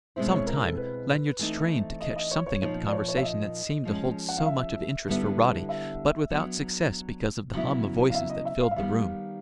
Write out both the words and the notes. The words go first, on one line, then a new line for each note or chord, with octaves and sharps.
For some time Lanyard strained to catch something of the conversation that seemed to hold so much of interest for Roddy, but without success because of the hum of voices that filled the room.
B2 G#3 C4 E4 C5
C#5
A#4
A4
B4
E3 A3 C4 D#4
D#5
D#5
C#5
C#5
A#2 F3 A#3 D#4 C#5
D5
C#5
C#5
E5
D#5
F3 G#3 C#4
F#5
F5
E5
D3 G3 B3 E4
E5
F#3 B3 D4
C#3 F#3 B3 E4
F5
E5
D#5
E5
F5
E5
D#3 G3 B3 F5